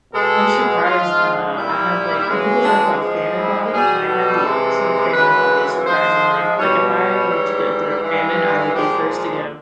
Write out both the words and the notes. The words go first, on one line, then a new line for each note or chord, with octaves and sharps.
I'm surprised, uh, I have, like do people talk about famine body and I have the opposite of famine body surprisingly, like, if I were to go through a famine, I would be first to go.
B2 G#3 A4
G#2 F3 G#3 F4
A#2 G3 E4
F#2 C#3 E3 G#3
D4
G#2 F3 G#3
E4
B2 G3 G#4
A4
C3 E3 G#3
F#2 C#3 E3 G#3 B4
G#2 F3 G#3 C5
B2 G3 C#5
C#5
G#2 E3 G3
G2 E3 G#3
A#2 F3 G#3 G4